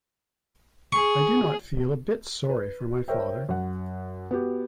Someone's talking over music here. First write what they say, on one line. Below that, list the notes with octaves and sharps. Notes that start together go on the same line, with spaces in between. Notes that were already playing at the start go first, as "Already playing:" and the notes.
I did not feel a bit sorry for my father.
G#4 C#6
B4
A#4 C5 C#5 E5 G5
F#2 F#5
B3 F#4 G4